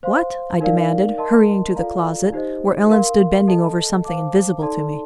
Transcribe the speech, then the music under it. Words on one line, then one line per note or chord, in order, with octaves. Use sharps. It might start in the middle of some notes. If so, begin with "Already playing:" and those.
"What?" I demanded, hurrying to the closet, where Ellen stood bending over something invisible to me.
C5 F5 C6
D#4 A#4 D5 F5
A#4 D#5 A5 C6
F4 A4 D5 F5 A#5
D#4 G4 C5 D#5
A#4 F5 C6
A4 D#5 A5
C5 F5 A5 D6
D#4 A4 D5 A5 C6